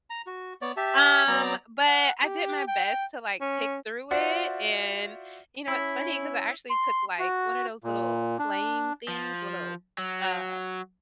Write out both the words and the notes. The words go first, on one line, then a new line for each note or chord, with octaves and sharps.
Um, but I did my best to, like, pick through it, and, you know, it's funny 'cause I actually took, like, what are those little flame things, little, uh,
A#5
F#4
B3 C#5 D5
G4 E5 A5
F#3 B3 D5 A#5
F#5
G4
G5
C#4
F4 F#4 C5 D5 E5 F#5
C#4 E4
C6
F#4
A#2
D4
F3
F#3